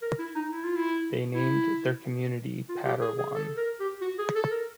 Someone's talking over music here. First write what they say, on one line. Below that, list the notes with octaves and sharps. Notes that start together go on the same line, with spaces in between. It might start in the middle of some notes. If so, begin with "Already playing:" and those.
They named their community Parowan.
A#4
E4
D#4
E4
F4
E4
E4
F4
G4
G#4
G#4
A4
A#4
G4
F#4
G#4
A4
A#4